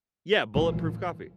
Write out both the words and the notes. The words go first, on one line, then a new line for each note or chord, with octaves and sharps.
Yeah, bulletproof coffee.
A2 E3 G#3